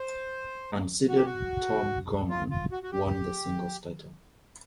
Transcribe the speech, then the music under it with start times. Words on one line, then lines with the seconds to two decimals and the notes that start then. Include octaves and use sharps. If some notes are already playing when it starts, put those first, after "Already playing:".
Unseeded Tom Gorman won the singles title.
Already playing: C5
1.08 F#4
1.17 G4
1.25 F#4
2.30 F4
2.51 F4
2.71 F#4
2.83 F#4
2.91 G4